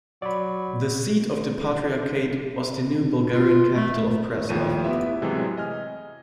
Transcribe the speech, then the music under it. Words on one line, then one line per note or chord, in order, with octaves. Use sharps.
The seat of the Patriarchate was the new Bulgarian capital of Preslav.
F#3 D5 B5
F4
A3
D#2 A2 F3 D#7
B3 E4 G4 E5
A2 C3 E3 F#3 G#3
D#5 G#5 F6